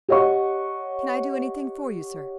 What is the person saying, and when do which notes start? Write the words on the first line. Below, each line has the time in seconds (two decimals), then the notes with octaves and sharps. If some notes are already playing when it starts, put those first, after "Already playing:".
"Can I do anything for you, sir?"
0.09 G4 C#5 D#5 F#5 C#6